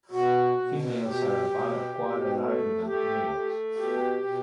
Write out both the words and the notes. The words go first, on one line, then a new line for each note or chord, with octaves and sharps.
Females are about a quarter larger than males.
B2 F#4
B2
B2 G4
B2
B2
A3
A3 G4
A3
B2 G4
B2